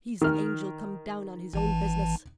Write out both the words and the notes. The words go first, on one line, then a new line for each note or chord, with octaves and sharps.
He's a angel come down on his own business.
D#3 F6
G#1 E3 A5